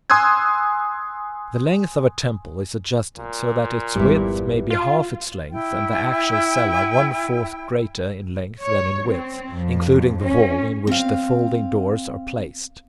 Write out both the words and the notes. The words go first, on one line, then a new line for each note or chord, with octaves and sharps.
The length of a temple is adjusted so that its width may be half its length, and the actual cella one fourth greater in length than in width, including the wall in which the folding doors are placed.
G#5 C6 D#6 E6 F#6 G#6
A#2
G#1 F2 G#2 G3 B3 E4
F4
E4 G5
C#5
C4
F2
C#4
C4 F5